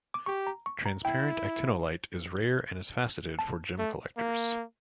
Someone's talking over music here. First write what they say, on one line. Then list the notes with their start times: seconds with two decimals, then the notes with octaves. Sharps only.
Transparent actinolite is rare and is faceted for gem collectors.
0.14 D6
0.26 G4 C#6
0.47 A#5
0.66 C#6
0.86 A#5
1.05 E4 G5
3.39 A5
3.78 A3
4.17 A#3